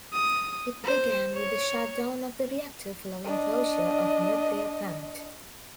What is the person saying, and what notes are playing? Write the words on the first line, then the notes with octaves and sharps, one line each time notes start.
It began with the shutdown of the reactor following closure of nuclear plant.
D#6
C5
C#5
D4 D#5